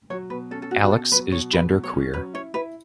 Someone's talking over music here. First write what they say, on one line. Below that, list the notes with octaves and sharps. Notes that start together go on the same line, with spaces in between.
Alex is genderqueer.
F#3 C#5
B2 B4
C#4 A4
A4
B2 F#4
F#4
B2 A4
F#3 B4
B2 C#5
B2 B4
F#3
C#5
C#4
F#3 B4
E4 C#5
E4 B4